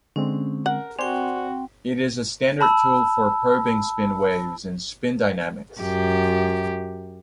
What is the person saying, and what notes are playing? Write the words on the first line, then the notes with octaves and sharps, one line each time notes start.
It is a standard tool for probing spin waves and spin dynamics.
D3 G#3 C4 C#4
A#4 F#5
C4 F#4 C5 D5 G5 G#5
A5 B5 E6
F#2 G4